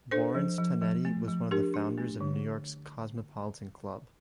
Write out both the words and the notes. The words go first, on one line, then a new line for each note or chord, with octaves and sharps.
Lawrence Tonetti was one of the founders of New York's Cosmopolitan Club.
D4 A4 C5
F3
F3
F3
A3
F3
D4 G4 A#4
D4
A3
D3